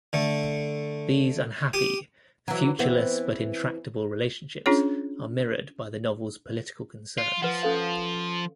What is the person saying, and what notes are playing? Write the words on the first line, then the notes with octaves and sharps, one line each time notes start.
These unhappy, futureless but intractable relationships are mirrored by the novel's political concerns.
D3 A3
G4 D#6
E3 F#3
E3 B3 C4
C#4 D4 F4 G#4 C#5
F4
F3 B4 F#5
C#4 A4 F5